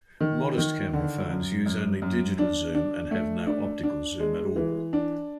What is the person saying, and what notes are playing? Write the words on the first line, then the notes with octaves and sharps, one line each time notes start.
Modest camera phones use only digital zoom and have no optical zoom at all.
D#3
D#3
D3
F#2
F#2
F#2
D4
D4
A3
D4
D4
G#3
E3
D4